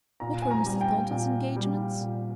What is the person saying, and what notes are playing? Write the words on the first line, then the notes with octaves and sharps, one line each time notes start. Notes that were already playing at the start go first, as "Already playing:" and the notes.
What were Mr. Thornton's engagements?
A#2 A#5
G#5
A#5
G3
G5
A#2
G3
A#2